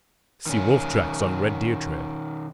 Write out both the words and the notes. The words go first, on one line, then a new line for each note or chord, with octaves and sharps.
See wolf-tracks on red deer trail.
D#3 C#4